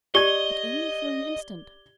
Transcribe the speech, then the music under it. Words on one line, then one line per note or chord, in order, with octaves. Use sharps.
But only for an instant.
G4 D5 D#5 G#6 G7